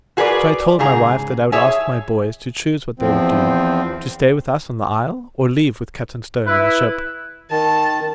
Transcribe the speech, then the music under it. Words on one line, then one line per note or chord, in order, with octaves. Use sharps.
So I told my wife that I would ask my boys to choose what they would do--to stay with us on the isle, or leave with Captain Stone in the ship.
F#4 G#4 A#4 B4 D5
G#2 C#3 G#4 A#5
G#4 C#5 E5 G#5
E2 F3 C4
E4 B4
D#3 A5